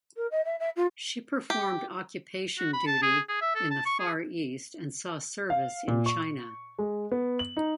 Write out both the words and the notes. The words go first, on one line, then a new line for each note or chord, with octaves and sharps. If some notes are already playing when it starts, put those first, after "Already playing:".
She performed occupation duty in the Far East and saw service in China.
A#4
D#5
E5
E5
F4
G4
F#4
B5
A5
G#4
G#4
E5
A4
A5
C#6
G#4
F5
A#2
C#6
G#3
B3
F#7
D#4